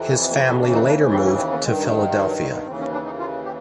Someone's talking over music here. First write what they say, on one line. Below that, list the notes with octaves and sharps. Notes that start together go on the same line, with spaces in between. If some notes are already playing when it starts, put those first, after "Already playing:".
His family later moved to Philadelphia.
Already playing: F2 C3 E3
A#3
B3
A#3
B3
C#4
D#2 C#3 E3 D4
D#4
D4
C#4
C4
C#4
C4
B3
G2 D#3 G#3
G3
F#3
F3
F#3
G3
C4
B3
D#2 C#3 E3 C4
C#4
D4
D#4
F4
G4